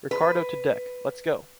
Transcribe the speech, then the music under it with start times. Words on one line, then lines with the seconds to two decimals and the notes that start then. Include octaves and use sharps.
Ricardo to deck, let’s go!
0.11 B4